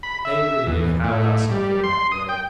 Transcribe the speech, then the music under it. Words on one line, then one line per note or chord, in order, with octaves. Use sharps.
They really did howl out something in that way.
B5
E5
E2
A2
G3
C6
D#6
G5